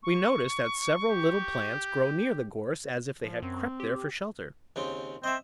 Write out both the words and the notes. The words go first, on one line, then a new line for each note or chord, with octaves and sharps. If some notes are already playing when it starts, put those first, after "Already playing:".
We notice that several little plants grow near the Gorse, as if they had crept there for shelter.
C#6
G4
F3
F#2 C4
G4
D#2 C#3 C4
C4 D#5 E5